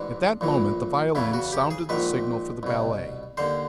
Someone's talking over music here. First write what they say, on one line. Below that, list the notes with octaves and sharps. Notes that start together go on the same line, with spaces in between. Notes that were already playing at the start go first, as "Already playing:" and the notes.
At that moment the violins sounded the signal for the ballet.
Already playing: A1 G#2 E3 D4
A#1 A2 E3
E2 C#3 E3 E4
F#4
G4
G#4
A#1 G#2 D#3 B4
C2 B2
D#2 D3 C5